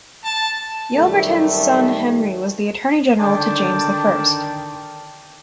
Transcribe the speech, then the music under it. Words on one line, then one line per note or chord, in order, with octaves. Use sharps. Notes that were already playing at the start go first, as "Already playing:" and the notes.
Yelverton's son Henry was Attorney-General to James the First.
A5
F#2 C3 D#3 G3 A3
D3 D#3 D5 G5 A5